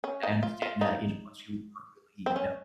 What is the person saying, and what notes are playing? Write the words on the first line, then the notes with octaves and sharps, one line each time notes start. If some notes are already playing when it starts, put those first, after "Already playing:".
I understand that, you know, most people aren't really, you know,
C#4
D#4
F4
F4
D#4
C4
C#4